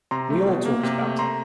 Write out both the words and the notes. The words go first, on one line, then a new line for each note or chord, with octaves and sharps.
We all talked about it.
C3 A#5 C6
A3
B2
A#3
C3
A3
A#5 C6